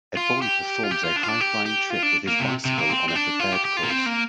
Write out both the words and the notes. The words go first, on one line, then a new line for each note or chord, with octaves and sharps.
A boy performs a highflying trick with his bicycle on a prepared course.
F4
G4
F4
G4
F4
D4
F4
D4
G4
G4
F4
D4
A#3
C3
C3
A#3
C4
C4
D4
F4
G4
G4
F4
A#3
C4
A#3